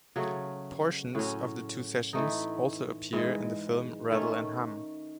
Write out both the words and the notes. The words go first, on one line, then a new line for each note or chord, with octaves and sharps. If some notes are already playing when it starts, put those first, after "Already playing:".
Portions of the two sessions also appear in the film "Rattle and Hum".
C#3 F#3 A3
A2 F#3 C#4
E3 A3 D#4
G#2 E3 G#3
D#3 A3 C#4